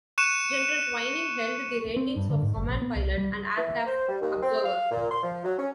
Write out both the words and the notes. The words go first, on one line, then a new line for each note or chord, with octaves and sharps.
General Twining held the ratings of Command Pilot and Aircraft Observer.
C#6 F#6 C#7 D#7 E7
C4
G2
D3
G#2
G1
A#1
B3
C2
G3
E3
C5
G3
D#2
C4
F5
A#2
C6
F3
F#3
C#4